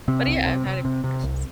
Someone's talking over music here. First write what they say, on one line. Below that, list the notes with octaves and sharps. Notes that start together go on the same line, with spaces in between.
But, yeah, I've had a few crushes.
C3 C4
C2
C3
C3
C3
C3
C2